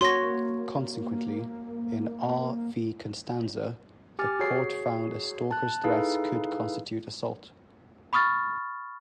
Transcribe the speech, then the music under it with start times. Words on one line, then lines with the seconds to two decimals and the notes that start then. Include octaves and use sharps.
Consequently, in "R v Constanza", the court found a stalker's threats could constitute assault.
0.01 A#3 F#4 C#5 C6 A#6
4.19 G4 G#5 D6 F6 A6
4.39 F#4 G#4 C#5 C7
5.51 A5 F#6
5.84 D#4 E4 G#4 A4 B4 F5
8.13 B5 C#6 D#6 F6 A6